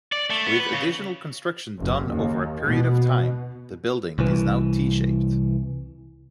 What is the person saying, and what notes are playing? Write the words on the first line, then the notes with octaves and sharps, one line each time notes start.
With additional construction done over a period of time, the building is now T-shaped.
D5
A3
B3
B4
C#3
F#1
D#2
B2
C2 E3